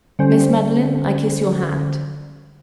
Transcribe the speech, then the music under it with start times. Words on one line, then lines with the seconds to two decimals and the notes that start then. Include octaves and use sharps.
Miss Madeline, I kiss your hand.'
0.19 D3 G3 C#4 C5